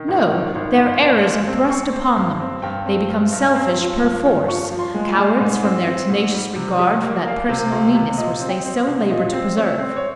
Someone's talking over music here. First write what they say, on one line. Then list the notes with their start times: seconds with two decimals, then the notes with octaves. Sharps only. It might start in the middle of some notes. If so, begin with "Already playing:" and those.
No! their errors are thrust upon them; they become selfish per force, cowards from their tenacious regard for that personal neatness which they so labour to preserve.
Already playing: D#3
0.08 G#1
0.32 D#3
0.55 G#1
0.78 G1
1.01 G1
1.25 G2
1.47 C4
1.70 C4 C#6
1.93 C4
2.16 G2 C6
2.40 C4
2.62 G2 G5
2.86 C4
3.09 G2
3.32 G2
3.55 C4
3.78 F3
4.02 G2
4.25 G2
4.48 F3 C#6
4.71 F3
4.79 C6
4.94 G#3
5.09 G#5
5.17 G#3
5.40 G#2
5.63 C4
5.86 C4
6.10 G#2
6.33 G3
6.56 C3
6.79 G3
7.02 A#3
7.25 A#3 F5
7.49 C3
7.72 C#2
7.95 C3
8.18 A#2 D#5
8.41 C4
8.49 G5
8.64 C4
8.87 C2
9.10 A#2 D#5
9.33 C4
9.57 C4 C#5
9.79 C4
9.96 C#5